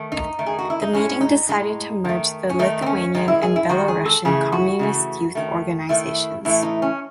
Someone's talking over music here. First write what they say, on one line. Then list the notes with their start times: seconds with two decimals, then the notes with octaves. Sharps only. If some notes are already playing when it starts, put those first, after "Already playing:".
The meeting decided to merge the Lithuanian and Belorussian communist youth organizations.
Already playing: D#3 A3
0.12 D#4
0.39 D#3 A3
0.46 G#4
0.59 F#4
0.70 E4
0.82 D#4
0.93 A2 G#3 C#4
1.21 D#4
1.49 A2 G#3 D#4
2.05 D#3 A3
2.49 C#4
2.59 D#3 A3 D#4
2.82 C4
2.86 C#4
3.15 D#3 G#3 D#4
3.28 E4
3.42 G#4
3.56 E4
3.69 D#3 G#3 F#4
3.88 G#4
4.05 A4
4.25 C#3 E3 A3 G#4
4.52 F#4
4.79 C#3 E3 A3
5.35 D#3 A3
5.89 D#3 A3 E4
6.45 A2 E3 A3 E4
6.63 D#4
6.82 C#4